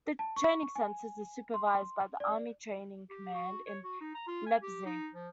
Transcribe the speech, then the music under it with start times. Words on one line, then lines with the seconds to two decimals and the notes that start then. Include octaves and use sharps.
The training centers are supervised by the Army Training Command in Leipzig.
0.19 A5
0.36 C#6
0.76 G#5
1.54 C6
2.20 D5
3.10 G4
3.35 F#4
3.67 C#5
3.84 F#4
4.01 D#4
4.15 A#5
4.27 F4
4.46 G#5
4.62 G4
4.86 D#4
5.14 F3